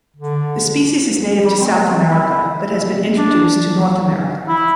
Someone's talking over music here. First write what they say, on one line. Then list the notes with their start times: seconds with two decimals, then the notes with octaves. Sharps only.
The species is native to South America, but has been introduced to North America.
0.16 D3
1.45 G3
1.61 C4
1.66 A3
1.88 C4
2.10 E4
3.18 D4
4.48 E4